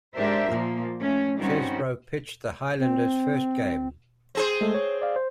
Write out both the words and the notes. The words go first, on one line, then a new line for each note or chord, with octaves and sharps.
Chesbro pitched the Highlanders' first game.
G#2 D4 G4 A#4 C5 E5
A#2 F3 A#3
A3 C#4
G2 D#3 G3 C4 C#4 F#4
C4
C4 G#4 C5
G#3 A3 A4
C#5
D5 F5
C5